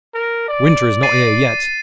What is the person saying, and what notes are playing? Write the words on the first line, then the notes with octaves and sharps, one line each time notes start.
'Winter is not here yet.
A#4
D5
A6 C7 D#7